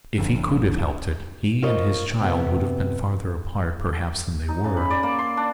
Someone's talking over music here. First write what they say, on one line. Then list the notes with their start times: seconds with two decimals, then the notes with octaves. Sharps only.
If he could have helped it, he and his child would have been farther apart perhaps than they were.
0.18 G1 F2 D3
1.62 F4 A#4 C5 C#5 D#5
2.21 C3 B3
4.49 D#4
4.64 C#3
4.77 B5
4.90 D5
5.03 A#3
5.19 C6
5.37 D4